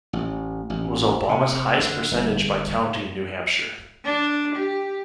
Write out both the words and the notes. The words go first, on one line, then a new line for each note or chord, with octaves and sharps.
It was Obama's highest percentage by county in New Hampshire.
A1
A1
C3
D3
G1
D4
G4